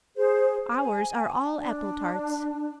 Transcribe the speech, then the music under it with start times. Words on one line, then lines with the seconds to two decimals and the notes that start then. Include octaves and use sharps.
Ours are all apple-tarts.
0.17 G#4 C5
0.78 G#5
1.56 D4